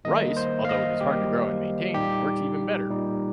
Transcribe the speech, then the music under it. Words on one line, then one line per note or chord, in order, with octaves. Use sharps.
Rice, although it is hard to grow and maintain, works even better.
D#3 G3 A#3 D#5
C5
F5
D#5
D#3 G3 A#3 G4
A#2 G3 D#4 G4
A#2 G3 D#4